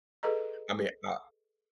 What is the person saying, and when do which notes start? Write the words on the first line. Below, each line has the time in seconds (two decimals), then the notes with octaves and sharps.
I mean, I
0.23 G#4 A4 B4 D#5 A#5